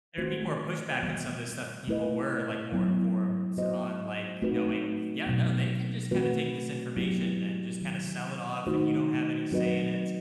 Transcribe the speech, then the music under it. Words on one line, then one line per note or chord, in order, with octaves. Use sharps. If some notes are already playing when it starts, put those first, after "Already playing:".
there'd be more pushback on some of this stuff, if people were, like, more informed on, like, knowing "Yeah, no, they can just kinda take this information and just kinda sell it off, and you don't have any say in it,"
D#3 A3 C4 F#4 C5
E3 G3 B3
A3 E4 B4 D#5
F#3 B3 E4
B3 F#4 C5 D#5
A3 C4 D#4 F#4 B4
B2 F#3 B3
E3 A3 C4 F#4 B4
F#3 B3 E4 G4
C3 D#3 F#3
D#3 A3 D#4 F#4 C5
F#3 C4 F#4 B4 D#5